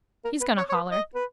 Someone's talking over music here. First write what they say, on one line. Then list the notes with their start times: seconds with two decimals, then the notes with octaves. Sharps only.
He's going to holler.
0.25 A#4
0.41 B4
0.57 C#5
0.69 C#5
0.74 B4
0.91 D#5
1.15 B4